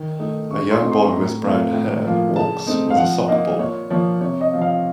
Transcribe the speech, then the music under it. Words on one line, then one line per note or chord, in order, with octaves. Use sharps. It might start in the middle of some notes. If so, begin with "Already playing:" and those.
A young boy with brown hair walks with a soccer ball.
Already playing: D#3
A3 D#4
C#3 C#6
C6
A3 C4 D#4
C6
A2 A#5
A3 C4 F4
A2
F3 A#3 F4
C#3 A5
A3 C4 D#4
F5
F3 F#5
A#3 D#4 D#5
A#2 C#5
F3 A#3 C#5
C3 C#5
D#5
F3 C4 F4
F5